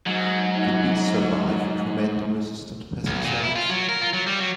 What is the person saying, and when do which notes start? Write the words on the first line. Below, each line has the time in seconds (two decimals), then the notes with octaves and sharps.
Could bees survive if we made them resistant to pesticides?
0.06 G#2 F#3
3.06 B1
3.24 A#2
3.43 E4
3.56 F4
3.70 F#3
3.89 A#4
4.01 F4
4.13 F#3
4.27 G3
4.40 F#3